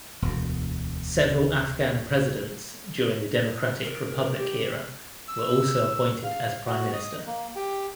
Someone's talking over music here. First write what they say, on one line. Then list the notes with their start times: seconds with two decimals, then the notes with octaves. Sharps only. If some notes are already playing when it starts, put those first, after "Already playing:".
Several Afghan presidents during the Democratic Republic era were also appointed as Prime Minister.
0.22 E1 D2
3.84 A#4
4.37 G4
5.28 E6
6.24 F5
6.66 F#4
6.93 D#5
7.26 A#3
7.56 G4